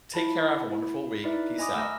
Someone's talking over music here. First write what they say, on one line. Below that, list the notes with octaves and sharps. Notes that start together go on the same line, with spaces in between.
Take care, have a wonderful week, peace out.
E4 A5 B5
E4
D#4 E4 B4 D5 E5
D#5 G#5 B5 D6 D#6
A3 E6 F6 A#6